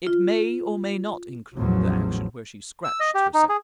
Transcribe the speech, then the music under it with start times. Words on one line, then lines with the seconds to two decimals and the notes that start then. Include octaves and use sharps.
It may or may not include the action where she scratched herself.
0.07 F4
1.56 A1 E2 A2 F3 F#3
2.84 E6
3.00 D#5
3.14 G4
3.34 D#4
3.49 G#4